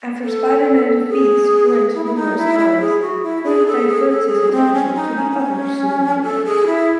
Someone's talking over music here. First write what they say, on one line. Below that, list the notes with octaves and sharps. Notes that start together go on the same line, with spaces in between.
After Spider-Man defeats Flint numerous times, Flint diverts his attention to other super heroes.
A4
G#4
E4
E4
D#4
E4
E4
G#4
F#4
E4
G#4
A4
G#4
A4
G#4
C4
C#4
D#4
C#4
D#4
C#4
A4
G#4
E4